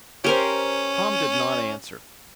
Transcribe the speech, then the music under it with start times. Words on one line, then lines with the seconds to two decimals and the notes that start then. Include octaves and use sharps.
Tom did not answer.
0.24 C#4 G4 A#4 C5